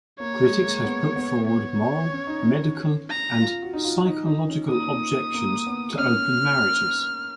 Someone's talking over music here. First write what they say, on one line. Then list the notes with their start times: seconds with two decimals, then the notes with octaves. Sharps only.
Critics have put forward moral, medical, and psychological objections to open marriages.
0.20 A#3 C#5
0.41 G#3
0.63 A#3
0.84 B3
1.16 B3
1.48 C#5
2.13 C#4
2.27 D#4
2.41 C#4
3.10 A#5
3.42 F4
3.62 F#4
3.73 D#4
3.84 F4
4.06 D#4
4.26 D#4
4.49 C#4
4.70 A#3 D#6
5.34 A#3
5.67 B3
5.98 C#4 F6